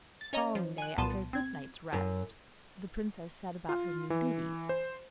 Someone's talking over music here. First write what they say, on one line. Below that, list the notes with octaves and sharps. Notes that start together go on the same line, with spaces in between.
The following day, after a good night's rest, the princess set about her new duties.
A6
C#4 C#5 D#5 A#5
F3
G#5 F#6
C2 A#2 B3 A5 C6 D#7
C4 G#6
F#2
F4
E3
C5